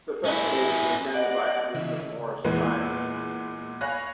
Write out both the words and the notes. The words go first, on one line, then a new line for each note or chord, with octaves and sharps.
The festival is attended by hundreds of Morris sides.
C#4 E4
D5 D#5 F#5
C#3 E3
E2 A#2 E3 G#3 B4
C#5 F5 G#5 B5 F#6 A#6